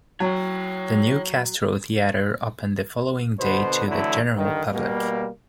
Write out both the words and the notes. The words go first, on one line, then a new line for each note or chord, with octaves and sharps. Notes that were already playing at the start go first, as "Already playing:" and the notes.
The new Castro Theatre opened the following day to the general public.
F#3 C#5 G5
B2 D3 B3 B4 C5
D3 E3 F#3 A3 E4
G2 D3 D#3
B2 G3 A#3